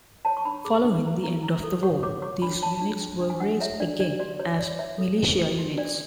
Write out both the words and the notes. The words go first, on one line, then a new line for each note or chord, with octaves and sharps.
Following the end of the war, these units were raised again as militia units.
C#5 A5
C#6
D4 B5
G#4 D6
D4
E4
E4
E4
A4
C#5 C#6
C#5 D6
C#5 C#6
D4 B5
C#5 A5
D4
D4
D4
G#5
D4 F#5
C#5 E5
D4 D5
D4 D5
F#4 D5
C#5
C#5 D5
C#5 E5
A4
C#4
A4
F#4
D4 D5